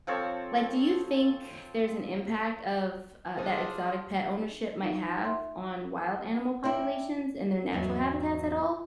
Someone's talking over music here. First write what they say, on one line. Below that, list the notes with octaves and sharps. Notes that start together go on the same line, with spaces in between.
like, do you think there's an impact of, uh, that exotic pet ownership might have on wild animal populations and their natural habitats at all?
F3 C4 A4 C#5
D4 F4 G#4 C5
D#4 F4 F5
E5 C6
C4 D4 E4 C#5
E2 G#2 F#3 B3